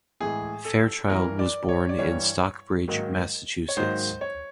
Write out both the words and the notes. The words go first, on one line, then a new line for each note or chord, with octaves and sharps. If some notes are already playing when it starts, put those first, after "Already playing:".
Fairchild was born in Stockbridge, Massachusetts.
A2 E3 G#3 G#4
A4
G2 E3 G3 A#4
D5
C#5
D5
G2 E3 G3 C#5
G#2 D#3 F#3 A#3
C#5
G#2 D#3 F#3 A#3 C5
C#5